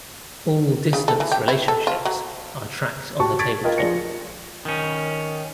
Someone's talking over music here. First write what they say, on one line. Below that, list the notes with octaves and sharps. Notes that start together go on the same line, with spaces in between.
All distance relationships are tracked on the tabletop.
C#3
A4
E3
G4
E4
A4
F4
F#3
F#4 G4 A5 C#6
C#6 G#6 A6 B6 D7
F4 A#4 D#5 G5
F3 G#4 D5 A#6 C#7
D#3 C#4